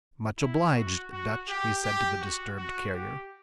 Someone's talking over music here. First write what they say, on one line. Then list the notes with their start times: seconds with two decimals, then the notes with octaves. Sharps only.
"Much obliged, Dutch," he said to the disturbed carrier.
0.39 E4
0.75 F#4
1.12 F#4
1.48 G4
1.84 G4
2.21 F#4
2.58 F#4
2.93 G4